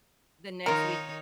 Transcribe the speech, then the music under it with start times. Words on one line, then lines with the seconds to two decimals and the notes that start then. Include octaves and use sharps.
The next week
0.66 D#3 D#4 F4 A#4 C#5